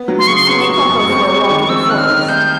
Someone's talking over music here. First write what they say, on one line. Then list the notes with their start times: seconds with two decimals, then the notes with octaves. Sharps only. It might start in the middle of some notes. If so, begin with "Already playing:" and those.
I think I'll go for a walk in the forest.
Already playing: B3
0.08 F#3
0.19 C6
0.28 C#3 C#6
0.36 C6
0.48 B3 C#6
0.69 F#3
0.89 F#2
1.09 C4
1.29 G#3
1.49 D#3
1.69 C4 E6
1.88 D#3 F#6
1.98 F6
2.09 D#3
2.28 C2 G6